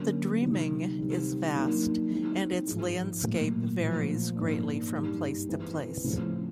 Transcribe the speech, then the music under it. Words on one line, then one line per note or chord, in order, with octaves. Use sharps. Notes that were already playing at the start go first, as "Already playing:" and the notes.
The Dreaming is vast, and its landscape varies greatly from place to place.
Already playing: D3 F#3 A#3 C#4
C3 D#3 F#3
C3 D#3 G3 C4
D#3 F#3 A#3 D4 F#4
D#3 G#3 C4 E4
G#2 F3 G#3
A#2 F#3 A3
A#2 F3 A3
G#2 F3 A#3 D4
G2 D#3 G3
E3 G#3 C4
C#3 F3 A3 C4 E4